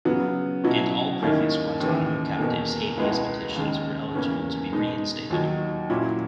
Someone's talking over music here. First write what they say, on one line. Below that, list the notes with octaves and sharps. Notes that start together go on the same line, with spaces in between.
And all previous Guantanamo captives' habeas petitions were eligible to be re-instated.
C#3 F#3 B3
B2 F#3 C#4 E4
D#2 D#3 A#3 C#4 E4
D#2 C#3 E3
E2 B2 A#3
C#2 B2 G#3 B3 E4
D#2 C#3 G#3
E2 C#3 E3 A#3 C#4
B2 G#3 D#4
D#2 D#3 F#3
A#2 F#3 C#4 E4